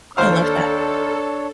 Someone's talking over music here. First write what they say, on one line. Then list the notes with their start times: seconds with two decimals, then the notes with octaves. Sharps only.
I love that.
0.17 D#2 D4 A4 C5 C#5 F5